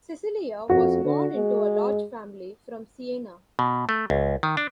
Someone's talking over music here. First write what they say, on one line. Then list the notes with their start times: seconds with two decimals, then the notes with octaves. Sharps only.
Cecilia was born into a large family from Siena.
0.70 F2 F#4
1.05 D3
1.36 G#3
3.59 B2
3.89 A3
4.10 C#2
4.43 D#3
4.57 D4